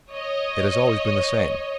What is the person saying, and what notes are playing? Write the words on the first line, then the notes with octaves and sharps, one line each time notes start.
It has always been the same.
C#5 D#5